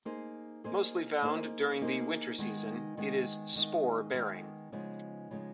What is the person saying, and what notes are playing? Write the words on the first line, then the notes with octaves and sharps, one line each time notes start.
Mostly found during the winter season, it is spore bearing.
A#3 D#4 G#4 C5
A#3 D#4 G#4 C5
A#3 D#4 G#4 C5
A#3 D#4 G#4 C5
D#3 G#3 B3 D#4
D#3 G#3 B3 D#4
D#3 G#3 B3 D#4
D#3 G#3 B3 D#4
C#3 F3 G#3 B3 D#4
C#3 F3 G#3 B3 D#4